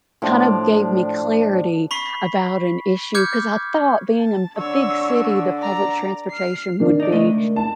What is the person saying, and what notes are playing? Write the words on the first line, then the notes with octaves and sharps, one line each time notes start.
kind of gave me clarity about an issue, 'cause I thought being a m a big city, the public transportation would be
A2 F3 D4 D5
B5 C#6 B6 C7
D6 F6 G6 G#6 C#7
A5
D3 C#5 E6
D5 A#5
F6 C7
D#3 D4
D#4 D5
C#2 A3 D#5
A5